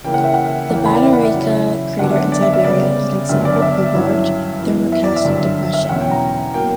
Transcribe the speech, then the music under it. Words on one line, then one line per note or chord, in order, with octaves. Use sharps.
The Batagaika crater in Siberia is an example of a large thermokarst depression.
C#3 E3 A#3 E4 G5
F#5
E5
F#5
E2 C#3 E3 A#3 F#5
G5
B5
D5
E5
F#5
E5
C#3 F#3 C#4 E4
D3 F#3 B3 D4 F#5
E5
D5
E5
E5
C#3 G3 B3 D5
G2 D3 F#3 B3 E5
D5
D5
E5
G2 F#3 C#4 E4
F#2 E3 B3
E5
D5
E5
G2 D3 F#3
E5
E2 B2 F#3 C#4 F#5
G5
A#5
B2 F#3 A#3 G5